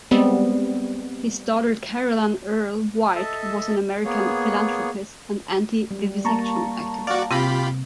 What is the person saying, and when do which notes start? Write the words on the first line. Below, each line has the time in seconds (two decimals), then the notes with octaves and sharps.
His daughter Caroline Earle White was an American philanthropist and anti-vivisection activist.
0.11 G3 G#3 B3 C4
3.15 A4 D#5 E5 A5
4.05 A#3 B3 G#4 C#5
5.91 G3
6.25 A#3 A5 A#5 C#6
7.07 F#4 D5 F5 F6
7.31 C3 C4 F4 G4 B5 A#6